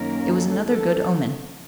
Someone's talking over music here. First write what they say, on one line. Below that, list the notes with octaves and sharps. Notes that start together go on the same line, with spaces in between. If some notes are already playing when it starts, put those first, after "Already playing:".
It was another good omen.
Already playing: F#2 D#3 A#3 C#4 A#4
A4
A4